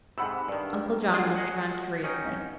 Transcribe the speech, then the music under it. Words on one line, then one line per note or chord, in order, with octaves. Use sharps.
Uncle John looked around curiously.
G#2 C3 F#5 B5 E6
G2 D#3 D4
F#3 D4 F4 F#4 G#4
G#4 D#5 F#5
C#4 D#4 G5